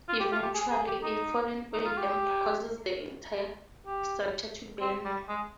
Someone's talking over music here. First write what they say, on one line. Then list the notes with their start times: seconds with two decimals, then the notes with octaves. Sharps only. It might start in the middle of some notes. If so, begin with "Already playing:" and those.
Eventually, a fallen oil lamp causes the entire structure to burn.
0.08 F4
0.20 G4
0.32 F4
0.43 G4
0.55 G#4
0.71 G#4
0.87 G4
1.03 D#4
1.73 D#4
1.85 F4
1.97 G4
3.86 G4
4.81 C4
5.05 G3
5.28 G#3